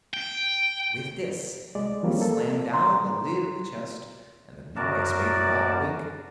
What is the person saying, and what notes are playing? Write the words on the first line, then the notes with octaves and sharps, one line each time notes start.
With this he slammed down the lid of the chest, and the noise made them all wink.
G5
C2 G#3 D5
E3 F3 G3 A#3 C4 C#4
A#3 A4
A#5 C6
F#2 F#4 A#4 D5 A5